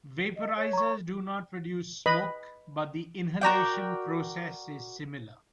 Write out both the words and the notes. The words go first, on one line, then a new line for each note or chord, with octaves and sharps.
Vaporizers do not produce smoke, but the inhalation process is similar.
D#5
C#5
A#5 C#6
B4 D#5 B5
F#4 A#4 D5 G5